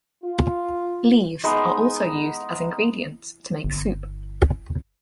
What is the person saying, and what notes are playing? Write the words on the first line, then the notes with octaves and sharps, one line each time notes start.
Leaves are also used as ingredients to make soup.
F4
G#3 B3 D#4
G1